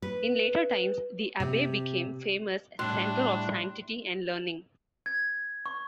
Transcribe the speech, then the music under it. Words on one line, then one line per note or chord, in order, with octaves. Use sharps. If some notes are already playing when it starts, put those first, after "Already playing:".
In later times the abbey became famous as a centre of sanctity and learning.
B4
C3
A2 G3 D4 C6 F#6
G#6
C#6